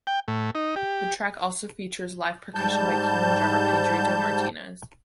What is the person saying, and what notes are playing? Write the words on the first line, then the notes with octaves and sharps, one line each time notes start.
The track also features live percussion by Cuban drummer Pedrito Martinez.
G5
A2
D#4
G4
G#2 G3 A5 G6